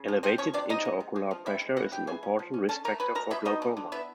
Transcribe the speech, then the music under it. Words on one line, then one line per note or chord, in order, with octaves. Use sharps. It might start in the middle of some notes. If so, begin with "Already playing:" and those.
Elevated intraocular pressure is an important risk factor for glaucoma.
Already playing: C#3
F3
F3 C4 C5
F3 C#4 C#5
C3 D4 D5
G#3 D#4 D#5
G#3
C3
G#3
F3
C4 E4 E5
G#3
E3 F#4 F#5
E3 G4 G5
E3 G#4 G#5
C#4
F3
C#4
C#4 A4 A5
A3 A#4 A#5
F#3 B4 B5
B2 A#4 A#5
B2 E4 E5
B2 D#4 D#5
D3
D3
B3 E4 E5